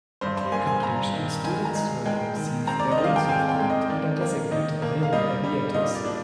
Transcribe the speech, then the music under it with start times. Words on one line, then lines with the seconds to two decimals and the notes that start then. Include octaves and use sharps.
Upon completion, students will receive their wings of gold and are designated naval aviators.
0.21 G2 C5
0.37 C5
0.52 A#3 G#5
0.67 G#5
0.83 G2 A#5
1.14 D#3
1.44 D#3 G#5
1.65 A#5
1.75 G#3
2.06 G#3 G5
2.36 D#3
2.67 C4 A#5
2.79 D5
2.92 D#5
2.98 D#3
3.04 F5
3.16 G5
3.29 C4 G#5
3.49 G5
3.59 G#3
3.70 D#5
3.90 D#3 D5
4.21 A#3
4.51 D#3 D#5
4.82 A#3
5.03 F5
5.13 G3 D#5
5.44 G3
5.74 A#2 D#5
5.95 D5
6.05 D4